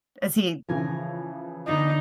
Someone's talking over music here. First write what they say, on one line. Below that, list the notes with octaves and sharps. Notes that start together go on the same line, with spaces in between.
Is he
C#3 E3 F3 A#4 G#5
D3 B3 D4 D#4